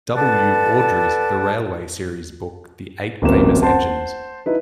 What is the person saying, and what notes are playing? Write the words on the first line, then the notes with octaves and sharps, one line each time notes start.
W. Awdry's "The Railway Series" book 'The Eight Famous Engines'.
A4 B4 D5 F#5 A5
D1 A1 A#3 C5 E7
C5 F#5 A5
D#4 E4 B4